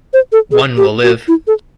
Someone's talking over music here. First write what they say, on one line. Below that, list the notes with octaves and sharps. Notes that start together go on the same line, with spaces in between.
One will live.
C5
A4
G#4
G4
F#4
E4
A4